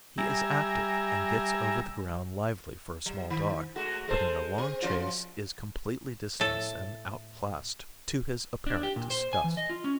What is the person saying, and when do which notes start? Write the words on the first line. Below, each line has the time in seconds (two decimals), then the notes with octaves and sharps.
He is active and gets over the ground lively for a small dog, but in a long chase is completely distanced and outclassed to his apparent disgust.
0.18 G3 E5 G#5 A#5
3.06 F#3
3.30 D#3
3.76 G#3 A3 F#4
4.08 G#3 A4 C5
4.58 C4
4.82 F3 C#4 F4
6.40 A2 A4
8.67 D4
8.83 G4
8.96 A#2
9.10 C5
9.33 G#5
9.44 E3
9.57 D#5
9.70 F4
9.84 C#4